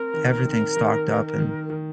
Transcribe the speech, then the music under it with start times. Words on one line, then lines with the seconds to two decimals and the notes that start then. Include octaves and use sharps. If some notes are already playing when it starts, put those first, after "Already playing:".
everything stocked up and,
Already playing: C4 A#4
0.14 D#3
0.45 D#3
0.77 D#3
1.08 D#3
1.39 D#3
1.70 D#3